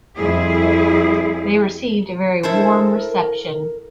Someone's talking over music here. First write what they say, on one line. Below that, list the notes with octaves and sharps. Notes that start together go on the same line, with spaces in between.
They received a very warm reception.
F2 G3 E4 G#4
E4 A4 A#4 C5